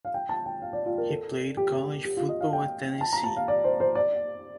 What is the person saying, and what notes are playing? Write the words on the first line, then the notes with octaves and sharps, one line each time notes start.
He played college football at Tennessee.
F5
G5
A5
G5
F5
D5
F4
A#4
A4
G4
G4
F4
D#5
F5
G5
A5
A#5
A5
F5
D5
C5
C5
D5